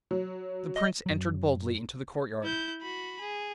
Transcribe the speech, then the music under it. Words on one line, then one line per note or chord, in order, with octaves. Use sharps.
The Prince entered boldly into the courtyard.
F#3
D#5
F#2 F#3
E4 G6
F#4 B5
G#4